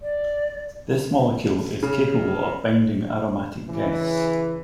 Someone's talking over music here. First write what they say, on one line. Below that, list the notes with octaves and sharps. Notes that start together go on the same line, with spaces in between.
This molecule is capable of binding aromatic guests.
D5
C#3
C#3 E3